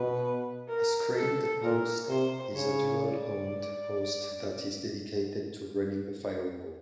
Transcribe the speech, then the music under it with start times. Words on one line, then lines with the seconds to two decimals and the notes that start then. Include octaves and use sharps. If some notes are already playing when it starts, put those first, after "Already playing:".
A screened host is a dual-homed host that is dedicated to running the firewall.
Already playing: B2 B4
0.68 A#4
1.16 A4
1.62 A#2 A#4
2.09 C3 C5
2.55 C#3 C#5
3.03 D5